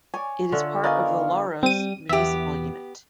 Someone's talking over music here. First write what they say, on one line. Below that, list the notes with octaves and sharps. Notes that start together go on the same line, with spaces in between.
It is part of the Louros municipal unit.
C#5 D5 G#5
D3 F4 C#5 E5
B3 A#4 D5 D#5 F5 G#5 C#6
G3 C4 D#7
E2 B3 G4 E5